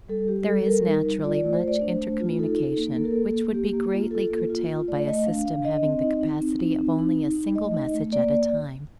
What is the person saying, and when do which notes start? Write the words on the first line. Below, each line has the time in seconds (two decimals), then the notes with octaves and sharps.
There is naturally much intercommunication, which would be greatly curtailed by a system having the capacity of only a single message at a time.
0.09 G3 A4
0.28 G3 G4
0.48 G3 A4
0.62 A4
0.67 G3 A#4
0.86 D#4
1.05 G3
1.24 F4 D5
1.38 D5
1.43 A3
1.53 C5
1.62 A3
1.68 D5
1.81 D4 C5
2.01 A3
2.20 F4
2.39 D#4 A4
2.57 D#4
2.77 A#3
2.96 A#3 A4
3.04 A#4
3.11 A#3 A4
3.34 A#3
3.54 A#3 G4
3.73 A#3
3.93 F4
4.11 F4 A4
4.30 A#3
4.50 F4
4.69 F4
4.88 A3 D5
5.07 A3 D#5
5.26 D4 F5
5.45 D4 F5
5.65 D4 D#5
5.83 C4
6.03 D#4
6.21 D#4
6.41 C4
6.59 D#4
6.79 C4
6.99 D#4
7.18 D#4
7.36 D#4
7.55 A3 D#5
7.74 D#4
7.94 A3
8.12 A#3 D5